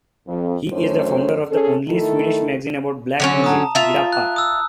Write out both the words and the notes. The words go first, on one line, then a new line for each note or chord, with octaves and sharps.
He is the founder of the "Only Swedish Magazine about Black Music", "Gidappa".
F2
F#2 D3 A3 C5 C#5
C#4 G#4 A4
D#3 A3 E4 A4
D3 F#3 C#4
A5 A#5 D#6
F4 E5
F#6
D#6 E6